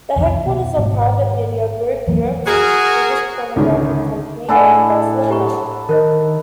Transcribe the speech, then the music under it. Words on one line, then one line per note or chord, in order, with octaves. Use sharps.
The headquarters of Private Media Group, Europe's biggest pornographic company, are in Barcelona.
C2 F2 C3 D#3
B2
G#1 G#2 G#3
F2 E3 F#3 A#3
F#4 G#4 A#4
C#2 D3 D#3
A2 D4 E4 A4 F#5 G#5 A5
G4 A#5 C#6
D#3 A#4 C5 D#5